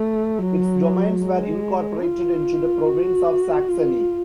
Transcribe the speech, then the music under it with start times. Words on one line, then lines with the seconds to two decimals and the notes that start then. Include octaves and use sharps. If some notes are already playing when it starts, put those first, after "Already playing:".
Its domains were incorporated into the Province of Saxony.
Already playing: A3
0.39 F#3
1.21 G#3
2.03 F4
2.86 F#4
3.69 F4